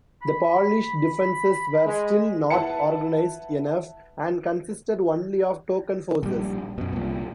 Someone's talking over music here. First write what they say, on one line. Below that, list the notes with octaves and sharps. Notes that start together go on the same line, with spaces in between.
The Polish defences were still not organised enough and consisted only of token forces.
B5
G#3
E4 B4 F#5 A5 C#7
A#1 G3
F#2 B2
C2 A#2